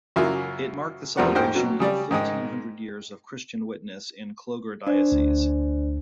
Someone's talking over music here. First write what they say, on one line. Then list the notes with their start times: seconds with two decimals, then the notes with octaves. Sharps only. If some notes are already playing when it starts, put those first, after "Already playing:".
It marked the celebration of fifteen hundred years of Christian witness in Clogher Diocese.
0.16 F#2 C#3 F#3 A#3 E4 F4
1.17 E2 F3 G3 A#4 D5 F#5
1.35 G#2 F#4 G4 C5 G5 F6
1.55 B2 F#3
1.80 C#3 G3 D5
2.11 G#2 D#3 G#3 D#6
4.87 D4 C5 D5
5.12 D2